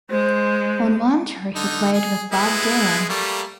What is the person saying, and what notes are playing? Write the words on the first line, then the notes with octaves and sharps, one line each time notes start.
On one tour he played with Bob Dylan.
G#3 C5
D3 D#4
G#4
G#3 B3 E4
G3 A3 A#3